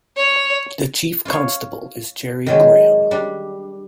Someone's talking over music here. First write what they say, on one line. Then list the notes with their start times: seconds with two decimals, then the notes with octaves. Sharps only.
The Chief Constable is Jerry Graham.
0.17 C#5
1.25 F4 C#5
2.46 D#3 F#3 G#3
3.11 G3 D4